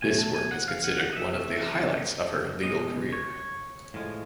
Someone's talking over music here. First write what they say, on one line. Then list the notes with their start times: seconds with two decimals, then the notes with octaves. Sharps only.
This work is considered one the highlights of her legal career.
0.02 B2 F#3 A3 G#5
0.19 A5
0.35 G#5
0.51 F#5
0.68 F5
0.84 F#5
1.00 F#5
1.13 D#5
1.16 E5
1.33 C3 E3 A3 E5
2.63 B2 G#3 D#5
3.12 C#5
3.94 A2 F3 G#3